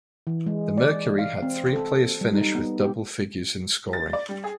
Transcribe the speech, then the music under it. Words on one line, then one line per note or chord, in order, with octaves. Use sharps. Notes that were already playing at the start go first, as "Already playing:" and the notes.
The Mercury had three players finish with double figures in scoring.
E3
G#3
D5
F5
C4
A4
G3
D#4
B3
G4
A6
D5
G3
G#4